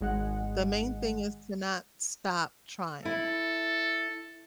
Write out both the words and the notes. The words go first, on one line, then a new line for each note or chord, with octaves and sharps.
The main thing is to not stop trying,
G#1 G#3 F#5
E4 A4